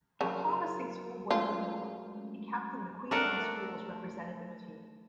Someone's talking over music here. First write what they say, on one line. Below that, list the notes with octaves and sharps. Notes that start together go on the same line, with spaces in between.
A promising schoolboy footballer, he captained the Queensland schools' representative team.
C#3 F#3 G#4 A#4
G#3 A3 C#4 F4
A3 D4 A#4 F#5